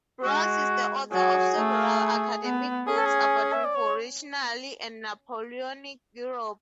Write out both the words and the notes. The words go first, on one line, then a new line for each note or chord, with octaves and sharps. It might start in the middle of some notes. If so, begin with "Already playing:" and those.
Broers is the author of several academic books about revolutionary and Napoleonic Europe.
G#3 F#4
F#3 G#4
A3
B3
C#4 G#4
A4
G#4
E5
D5
C#5